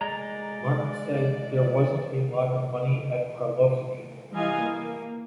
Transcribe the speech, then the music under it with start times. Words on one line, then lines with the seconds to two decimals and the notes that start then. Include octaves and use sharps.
Martin said: There wasn't a lot of money at Parlophone.
0.01 G#3 D5 A#5
4.33 E3 G3 F4 D#5 F5 G#5
4.64 A#3